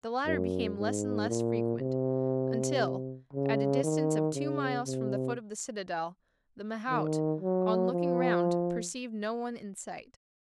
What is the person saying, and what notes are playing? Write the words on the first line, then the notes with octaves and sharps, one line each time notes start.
The latter became less and less frequent, until, at a distance of two miles from the foot of the citadel, the mahout, on looking round, perceived no one in sight.
F#2
G#2
A#2
C3
C#3
D#3
C#3
C3
D#3
F#3
F3